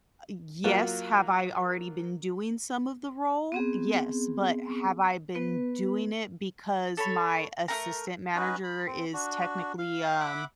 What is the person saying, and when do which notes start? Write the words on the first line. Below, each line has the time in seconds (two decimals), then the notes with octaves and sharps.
Ah yes, have I already been doing some of the role? Yes, but have I been doing it because my assistant manager is technically, um,
0.64 F#3 A#3 F4 F#4
3.52 B3 C4 G#4
5.35 B3 B4
6.97 A4 C#5 B5
7.68 A3 C4 A#4 A#5
8.36 C#4 D#4 F#4 B4
8.64 B5
8.87 C4
9.13 D4 F#4
9.78 F5
10.20 E5 F#5 B5 D6